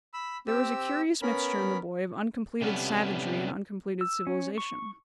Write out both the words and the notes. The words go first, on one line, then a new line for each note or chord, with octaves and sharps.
There was a curious mixture in the boy, of uncompleted savagery, and uncompleted civilization.
B5 E6
C4 G4 E6
B3 C#4 A#4 B5
C3 G3 B3 C#4 A4
E6
C#4
C#6